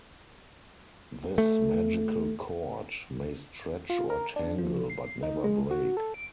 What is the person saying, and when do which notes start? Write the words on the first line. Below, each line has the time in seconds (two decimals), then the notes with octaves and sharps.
This magical cord may stretch or tangle, but never break.
1.38 A3
3.90 F4
4.10 A#4
4.36 D4
4.58 F3
4.90 C7
5.23 D#4
5.44 G#3
5.71 F#4
5.97 A4
6.14 D7